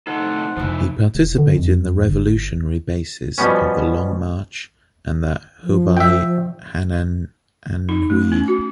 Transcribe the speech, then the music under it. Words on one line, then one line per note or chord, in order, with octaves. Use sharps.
He participated in the revolutionary bases of the Long March and the Hubei-Henan-Anhui.
A2 C3 D#4 A4 C5 F#5
F2 C3 F3 E4
E1
D3
F2
G1
B2 F3 G3 B3 C#4
F3
E5 G5
D#4
A3
C#4
F#4